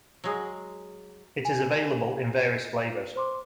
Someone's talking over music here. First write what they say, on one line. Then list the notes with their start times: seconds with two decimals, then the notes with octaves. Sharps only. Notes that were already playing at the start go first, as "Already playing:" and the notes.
It is available in various flavors.
0.24 F#3 G#3
1.45 G#5
3.16 C5 C6 D6